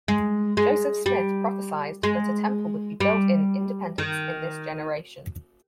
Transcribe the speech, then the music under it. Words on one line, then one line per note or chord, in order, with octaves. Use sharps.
Joseph Smith prophesied that a temple would be built in Independence "in this generation".
G#3
G#3
G3
G#3
G3
D#3